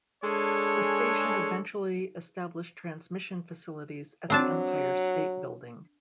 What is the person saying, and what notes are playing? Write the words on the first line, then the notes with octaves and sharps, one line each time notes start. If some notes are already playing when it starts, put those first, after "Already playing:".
The station eventually established transmission facilities at the Empire State Building.
G#3 D4 G#4 A4 C#5
F#3 C4 D4 A5